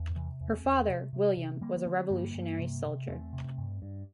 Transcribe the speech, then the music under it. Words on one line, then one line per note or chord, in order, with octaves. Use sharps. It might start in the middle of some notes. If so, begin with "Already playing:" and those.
Her father, William, was a Revolutionary Soldier.
Already playing: E2
C3 E3
E2
A3 C4
E2
C3
C3
C3
D3 G3 A#3
A#3
D3 A3 C4
G2 G3 A#3
G2
C3
C3
E2 A3 C4
C3
G2
G2